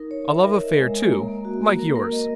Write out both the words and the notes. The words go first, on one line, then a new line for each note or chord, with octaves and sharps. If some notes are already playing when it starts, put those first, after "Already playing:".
A love affair too--like yours.
Already playing: D#4 A#4
C#5
E5
A#4
D#5
G#3
G#3
A#3
A#3
F#4
A#3
A#4
A#4
D#5